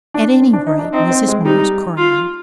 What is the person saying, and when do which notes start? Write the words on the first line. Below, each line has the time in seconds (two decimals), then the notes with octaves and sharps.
At any rate, Mrs. Morris cried.
0.14 D4
0.40 C4
0.53 D4
0.67 D#4
0.79 D4
0.93 C4 D#4
1.11 C4
1.28 G#3
1.45 G3 D#4
1.98 F4